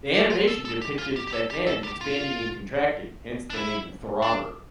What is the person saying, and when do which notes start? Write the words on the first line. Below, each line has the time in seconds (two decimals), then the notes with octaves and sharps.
The animation depicted the "N" expanding and contracting - hence the name "throbber".
0.14 G4
0.30 F4
0.47 A4
0.65 A4
0.82 G4
0.99 F4
1.16 G4
1.27 G4
1.32 A4
1.50 G4
1.67 A4
1.84 G4
2.01 F4
3.50 D4
3.54 E4
4.22 D4